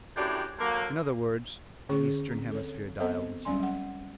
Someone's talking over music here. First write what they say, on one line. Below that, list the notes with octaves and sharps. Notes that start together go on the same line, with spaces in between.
In other words, the eastern hemisphere dial was useless.
F#2 A2 D4 G4 G#4
D3 F#3 A#3
D3 C#4 G#4 C#5 C#6
C4
A4 C#5
B3 C4 A4 C5 D#5
F#3 G3 C#4 D5 G#5 C6
F#3 F#5